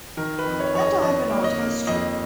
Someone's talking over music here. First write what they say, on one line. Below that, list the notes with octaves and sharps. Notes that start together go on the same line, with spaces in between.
And I’ve an odd history.
D#3 A#4
B4
F2
C#5
F2 C#5
D#5
F2 D#5
A#3
D#5
A#3
F2 D#5